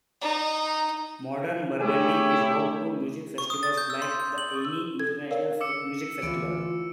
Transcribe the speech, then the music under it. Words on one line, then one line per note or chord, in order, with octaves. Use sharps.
Modern Burgundy is home to music festivals like the Ainey International Music Festival.
D#4
A3 E4 G4 G#4 C#5
C#6
D#6
A6
G6
E6
C6
G6
F#7
E6
A4 G#6
A#4 C#5 D5 F5
D6 E6 C#7
D2 E3 F4 D7